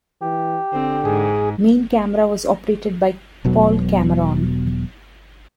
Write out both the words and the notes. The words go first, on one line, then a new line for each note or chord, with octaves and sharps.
Main camera was operated by Paul Cameron.
E3 G4
D3 C4
G#2 G#4
E1 B2 F#3